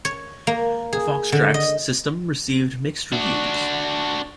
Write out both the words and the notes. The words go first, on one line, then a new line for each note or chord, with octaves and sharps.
The FoxTrax system received mixed reviews.
C#5
A#3
G#4
D3
D#5
D4 F#4